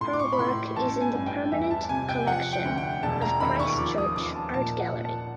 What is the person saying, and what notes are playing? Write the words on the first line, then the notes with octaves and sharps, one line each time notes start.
Her work is in the permanent collection of Christchurch Art Gallery.
A2 C6
D6
C#6
B5
A2 C6
A1 A5
G#5
G2
G5
E2 E5
A5
C3 G#5
G5
F3 F#5
G5
D2
G5
E1 A5
A#5
D#2 B5
C#6
F3 D6
D#6
F3 D6
A5
A#2 A5
F#5
A#2
A5